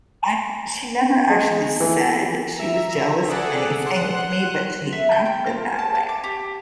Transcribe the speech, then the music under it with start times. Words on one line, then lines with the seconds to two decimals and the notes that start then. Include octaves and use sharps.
uh, I thought she never actually said she was jealous of anything with me, but she acted that way.
1.30 G#3
1.80 E3
2.56 E5 A#5
3.29 G#4 A4 D5 F#5
3.85 F#5 C6 F#6
4.92 E5
5.12 G6
5.26 G5
5.46 F4
5.79 A5
5.95 A5
6.09 D6
6.24 G4